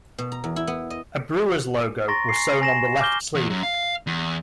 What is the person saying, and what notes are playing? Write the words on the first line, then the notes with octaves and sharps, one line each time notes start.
A Brewers logo was sewn on the left sleeve.
B2
A#5
E2
E4
B3
D#5
A#5 C6 C#6 A6 A#6 D7
G#5 C7
G#5 A#6 E7
G#5 D6 F6 G6 G7
E2
F#2
F5
E2